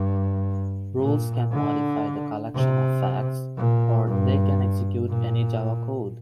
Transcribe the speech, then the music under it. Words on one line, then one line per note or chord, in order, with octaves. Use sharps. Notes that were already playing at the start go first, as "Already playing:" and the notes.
Rules can modify the collection of facts, or they can execute any Java code.
Already playing: G2
A#2
D3
C3
A#2
G2
A#2